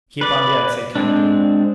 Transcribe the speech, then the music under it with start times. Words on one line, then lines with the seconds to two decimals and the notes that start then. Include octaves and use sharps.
"Keep on yet," said Kennedy.
0.21 B4 D5
0.96 G#3 C4 D4